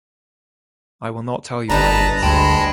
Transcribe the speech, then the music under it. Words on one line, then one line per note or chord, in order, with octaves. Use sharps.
I will not tell you what it is.
G1 D3 G3 B4 D#5 A5 A#5
D2 G#3 G5 A5 B5